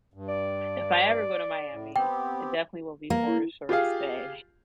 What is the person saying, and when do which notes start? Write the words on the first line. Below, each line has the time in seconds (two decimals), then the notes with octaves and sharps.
if I ever go to Miami, it definitely will be for a short stay.
0.14 G2
0.29 D5
1.71 A2
1.96 B3 C4 G4 G5
3.10 A#3
3.27 E4
3.69 F4 G4 G#4 F5